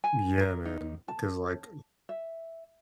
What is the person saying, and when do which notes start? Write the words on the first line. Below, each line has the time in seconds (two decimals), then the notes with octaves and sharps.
Yeah, man. Because, like
0.04 G#5
0.40 A#4
0.65 D#4
1.08 A5
2.09 E5